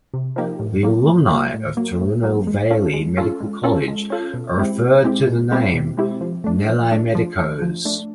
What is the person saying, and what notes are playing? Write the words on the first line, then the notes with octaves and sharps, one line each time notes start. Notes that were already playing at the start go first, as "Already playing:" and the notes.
The alumni of Tirunelveli Medical College are referred to by the name "Nellaimedicos".
C3
F3 A#3 D#4 G4
A2
F#3 A#3
A2
F#3 A#3
A2
F#3 A#3
A2
F#3 A#3
G#3
C#4 F4 A4
G#3
C#4 F4 A4
G#3
C#4 F4 A4
G#3
C#4 F4 A4
B2
G#3 C4 E4 G4
B2
G#3 C4 E4 G4
B2
G#3 C4 E4 G4
B2
G#3 C4 E4 G4
F3
A3 D4
F3
A3 D4
F3
A3 D4
F3
A3 D4